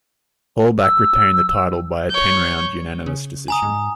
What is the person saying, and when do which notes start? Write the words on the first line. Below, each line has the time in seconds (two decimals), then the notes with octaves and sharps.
Hallback retained the title by a ten round unanimous decision.
0.82 E6
2.10 C#5 G6
3.06 C#3
3.48 G#5 A#5 D#6
3.62 G#2